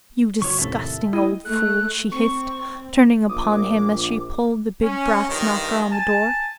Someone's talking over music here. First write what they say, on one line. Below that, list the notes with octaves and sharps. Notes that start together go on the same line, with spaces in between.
"You disgusting old fool," she hissed, turning upon him as she pulled the big brass knocker on the door.
G1 F#4 C#5 C#6
D#2 A2 C3 A4 E5
A3 E4 D#5 G5 D#7
A3 F#6
C4 C#6
A#1 D6 D#6
C#4
G2 D#3 F3
G#5 A5